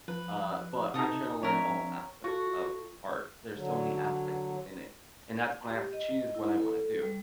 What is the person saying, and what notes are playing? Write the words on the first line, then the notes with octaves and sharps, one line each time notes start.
uh, but I'm trying to learn all aspects of art. There's so many aspects within it, and that's why I have to choose what I wanna do.
F3 B4
C3 D#4 A4 D#6
F3 C4 D4 A#4 C#5 E5
F4 F#4 A4 C#6
D3 F#3
G4
D#5
E4
A4
G3